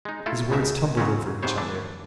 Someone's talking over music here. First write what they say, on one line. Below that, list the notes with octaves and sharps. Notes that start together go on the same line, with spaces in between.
His words tumbled over each other.
G#3 D#4
A3 E4 F4 A4
C#2 B2 G#3 D#4 A#4 E5
G#2 C#3 F#3 G#3 C4 C#4
G#2 C3 B3 C5 C#5
D3 E3 A3 D4 E4